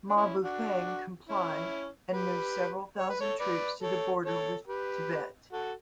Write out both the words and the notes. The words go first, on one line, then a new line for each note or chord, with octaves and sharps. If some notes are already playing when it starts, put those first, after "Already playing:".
Ma Bufang complied, and moved several thousand troops to the border with Tibet.
D4
C#4 E4
D4 F#4
C#4 E4
G4 B4
C#5
B4
A4 C#5
B4 D5
A4 C#5
A4 C#5
G4 B4
F#4 A4